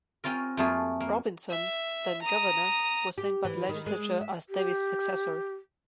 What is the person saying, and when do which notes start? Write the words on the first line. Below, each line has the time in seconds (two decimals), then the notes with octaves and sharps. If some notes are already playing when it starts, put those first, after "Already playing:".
Robinson, then governor, was named by the legislature as Davis' successor.
0.24 C4 C#4 F4 A#4
0.57 F2 F#3 A3 A#3 F4 G#4
1.00 A#3
1.50 E5
2.22 A#5 D#6
3.18 G4
3.45 E3
3.69 D#3
3.86 G#3
4.21 E5
4.49 G4